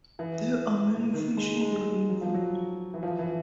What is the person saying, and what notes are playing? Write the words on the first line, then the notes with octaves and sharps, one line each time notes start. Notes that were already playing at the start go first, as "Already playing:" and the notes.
There are many fish in the river.
E3
D#3
G#3
G#3
F#3
F3
F#3
E3
F3
E3